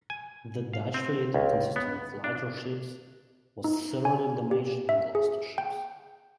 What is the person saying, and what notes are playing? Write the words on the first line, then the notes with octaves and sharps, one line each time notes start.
The Dutch fleet, consisting of lighter ships, was severely damaged and lost two ships.
G#5
F5
C4
C#2
B3
D4
D#4
G#5
G4
E5
G#4
G5